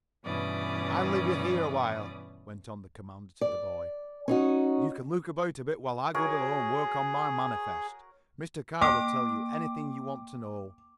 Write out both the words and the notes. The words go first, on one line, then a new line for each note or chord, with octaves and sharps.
"I'll leave you here a while," went on the commander to the boy. "You can look about a bit while I go below and work on my manifest. Mr. Carr will tell you anything you want to know."
G2 B2 E3 C#4 D5 D#6
D5
C#4 D#4 F#4
F#4 G#4 A#4 C#5
A#3 G5 D6